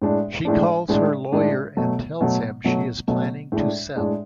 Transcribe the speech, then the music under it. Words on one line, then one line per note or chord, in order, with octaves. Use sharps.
She calls her lawyer and tells him she is planning to sell.
A2 G#3 D4
A2 G#3 D4
A2 G#3 D4
A2 G#3 D4
B2 F#3 A3
B2 F#3 A3
B2 F#3 A3
B2 F#3 A3
A2 G#3 D4
A2 G#3 D4